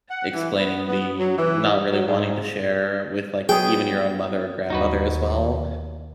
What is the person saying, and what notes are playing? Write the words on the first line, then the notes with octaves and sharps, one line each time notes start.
explaining the not really wanting to share with, like, even your own mother or grandmother as well.
F#5
E3
B3
B3
F#3
E3
G3
F#3
G#2
F#3 B3 G#4 G5
D#2 D#4 F#4 B4